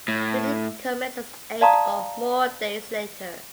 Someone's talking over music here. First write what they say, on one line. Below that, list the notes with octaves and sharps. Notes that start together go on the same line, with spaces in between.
Breeding commences eight or more days later.
A2
D5 F5 A5 A#5 C6 D#6